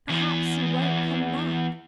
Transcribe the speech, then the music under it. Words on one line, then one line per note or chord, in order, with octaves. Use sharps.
"Perhaps you won't come back?"
E2 E3